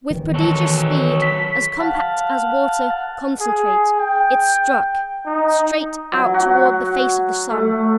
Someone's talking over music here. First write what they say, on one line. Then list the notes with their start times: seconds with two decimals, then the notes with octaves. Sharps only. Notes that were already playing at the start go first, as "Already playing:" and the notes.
With prodigious speed, as compact as water, CONCENTRATE, it struck--straight out toward the face of the sun.
0.10 D#3 E3
0.34 F#3 A4
1.22 B6
1.80 F5 F#5 A5
3.40 G#4
3.98 G5
5.26 D#4
6.12 F#3
6.34 F#4
7.51 A3